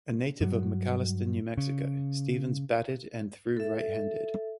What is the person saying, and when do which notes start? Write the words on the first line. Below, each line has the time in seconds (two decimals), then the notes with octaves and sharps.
A native of McAlister, New Mexico, Stephens batted and threw right-handed.
0.41 G2 F#3
1.58 C#3
3.57 A4 E5